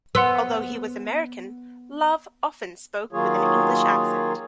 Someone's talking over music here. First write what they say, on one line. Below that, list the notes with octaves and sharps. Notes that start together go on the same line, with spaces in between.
Although he was American, Love often spoke with an English accent.
B3 F#5 C6 E6
D#3 F#3 A#3 F4 G#4 C#5